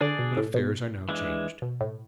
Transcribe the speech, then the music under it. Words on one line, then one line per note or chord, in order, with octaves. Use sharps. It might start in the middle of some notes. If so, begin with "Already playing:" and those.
But affairs are now changed.
D3 D4 G#4 D5
B2
A2
B2
E3 G#3 D4
B2
A2